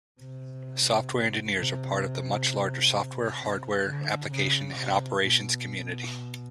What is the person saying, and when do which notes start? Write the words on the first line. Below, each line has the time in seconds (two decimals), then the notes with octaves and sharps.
Software engineers are part of the much larger software, hardware, application, and operations community.
0.20 C3
1.57 C3
3.40 C3
3.86 D3
4.31 C#3
4.77 C3
5.23 B2